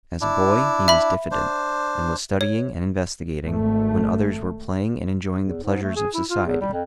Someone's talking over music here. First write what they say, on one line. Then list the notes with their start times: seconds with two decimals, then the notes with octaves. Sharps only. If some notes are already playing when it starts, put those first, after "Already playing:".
As a boy he was diffident, and was studying and investigating when others were playing and enjoying the pleasures of society.
0.21 D4 E4
0.88 E5 B5
1.31 D4 C5
2.41 C#5
3.43 G#1 A3
5.46 E2
5.63 G#2
5.83 A3
5.96 G#4
6.14 E4
6.29 F4
6.46 E2
6.61 G3
6.73 F2